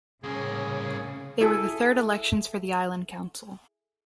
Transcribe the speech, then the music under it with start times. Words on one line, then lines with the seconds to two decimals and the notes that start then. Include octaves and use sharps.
They were the third elections for the Island Council.
0.24 C2 A2 C#3 A#3 C#4 G#4
1.41 E4 G#4 A4